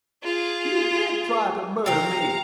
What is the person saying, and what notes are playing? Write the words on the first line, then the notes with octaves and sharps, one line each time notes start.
"You did try to murder me!"
F4 G#4
C3 F5 G5 A#5